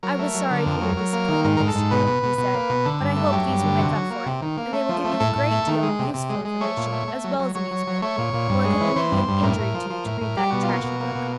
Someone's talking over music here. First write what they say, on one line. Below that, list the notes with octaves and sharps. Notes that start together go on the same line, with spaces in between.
"I was sorry for your disappointment yesterday," he said, "but I hope these will make up for it, and they will give you a great deal of useful information, as well as amusement; while it could only be an injury to you to read that trashy book."
F#3 A#4
A3
F#3
D3
F2
F#3
F#3
A#3
D#3
G#2 A#4
G#2 A#4
A4
G#2
B2 B4
B2
B2
B2
A#3
B2
D3 A4
G2
A3
F#3 G4
G2
D3
C3 F#4
F#3
A#3
C3
D#3
A#3
A3
F3
A3
A2 A4
A2
A3
D#3
G#3
C3
C3
G#3
G#3
A3 C#5
A#2
A3
A3
F#3
F#3
F#3 C#5
F#3
F#3
A3 C#5
A#2
A#2
G2
G#3
E3
E3 C5
G2
G2
A2 A#4
A2
F3
F3
A2
A2
G3 G4
B2 F#4
F4
A#3
F#4
B2
A#3
B2